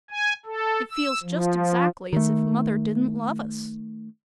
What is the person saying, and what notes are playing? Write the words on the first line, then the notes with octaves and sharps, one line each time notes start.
'It feels just exactly as if mother didn't love us.'
G#5
A4
E6
F3
D#3 A3